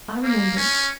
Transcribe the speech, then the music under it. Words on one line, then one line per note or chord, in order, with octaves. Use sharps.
"I remember it."
A#3
C#4